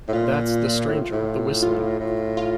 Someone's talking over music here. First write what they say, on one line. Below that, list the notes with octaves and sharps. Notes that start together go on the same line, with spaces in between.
That's 'The Stranger,' the whistling.
A2
A#2 F4
A2
A2
F4
A2
F4